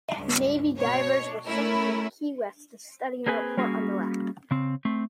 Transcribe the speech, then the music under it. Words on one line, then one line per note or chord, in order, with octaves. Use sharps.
Navy divers were sent from Key West to study and report on the wreck.
C#2 G2
B2 C#5
A3 C#4 E4 A#4
A#3 C4 G#4 B4 G#5
G3 A#3 C#4 F#4 G#4
C#3 C4
A3 C4